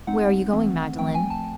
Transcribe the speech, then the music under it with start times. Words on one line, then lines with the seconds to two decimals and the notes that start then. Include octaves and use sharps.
"Where are you going, Magdalen?"
0.07 G#3 C4 D#4 F#5
0.53 E3 A3 C4
0.99 F3 A3 C4 G5
1.15 G#5
1.30 A5